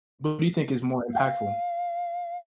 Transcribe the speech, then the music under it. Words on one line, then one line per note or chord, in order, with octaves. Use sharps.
What do you think is more impactful?
F5